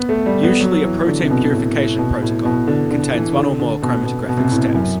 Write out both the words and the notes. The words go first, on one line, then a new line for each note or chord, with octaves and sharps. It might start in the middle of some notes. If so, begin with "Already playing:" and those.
Usually a protein purification protocol contains one or more chromatographic steps.
Already playing: B3
A3
G3
B3
F#3
E3
D3
C3
B2
A2
A2
B2
A2
B2
D3
D3
E3
D3
D3
B2
B2
B2
C3
B2
A2
F#2